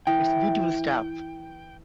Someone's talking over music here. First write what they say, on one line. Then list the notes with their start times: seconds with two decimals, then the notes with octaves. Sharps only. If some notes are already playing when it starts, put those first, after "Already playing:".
It’s beautiful stuff.
0.07 E3 G5